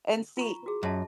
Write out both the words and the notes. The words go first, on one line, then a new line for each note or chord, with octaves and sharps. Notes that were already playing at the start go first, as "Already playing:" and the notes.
And see,
F4 A#5 C#6
F#4 G#4
F#2 D#5 E5 A5